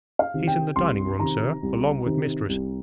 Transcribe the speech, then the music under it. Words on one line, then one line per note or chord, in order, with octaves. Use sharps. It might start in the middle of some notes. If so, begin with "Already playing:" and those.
'He's in the dining-room, sir, along with mistress.
F5
C3 D#3
G5
C2 C6
C3 D#3 A#5
C2
C3 D#3
C2